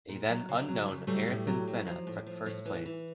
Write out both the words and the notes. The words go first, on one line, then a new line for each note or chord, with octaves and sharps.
A then unknown Ayrton Senna took first place.
A#2
F#3
C#3
F#3
C#3
F#3 G3 A3
A2
F#3
F#3
F3
A2
F3
A2
E3
E3